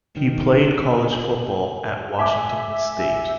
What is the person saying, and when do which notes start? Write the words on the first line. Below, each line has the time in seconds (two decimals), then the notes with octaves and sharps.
He played college football at Washington State.
0.17 D#3
2.19 E5 G#5 D6